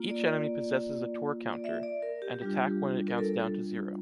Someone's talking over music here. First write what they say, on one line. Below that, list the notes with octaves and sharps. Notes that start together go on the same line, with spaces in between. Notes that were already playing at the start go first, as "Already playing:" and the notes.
Each enemy possesses a tour counter, and attack when it counts down to zero.
Already playing: A#3 F4
D5
D5
E5
D5
A#4
G4
G3 D4 F4
A#4
A4